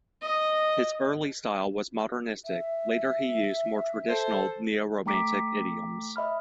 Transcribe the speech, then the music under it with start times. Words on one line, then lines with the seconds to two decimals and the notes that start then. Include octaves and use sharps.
His early style was modernistic, later he used more traditional neo-Romantic idioms.
0.22 D#5
2.45 E5
4.09 A4 C5
5.06 A3 G5 A#5 D6 B6 D7
6.16 D#5 E5 B5 F6